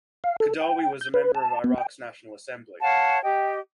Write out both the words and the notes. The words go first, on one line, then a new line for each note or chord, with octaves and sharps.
Khadawi was a member of Iraq's National Assembly.
F5
A4
G5
G6
B4
A5
B3
G5
C#5 F5 F#5 A5
G4 D#5 G5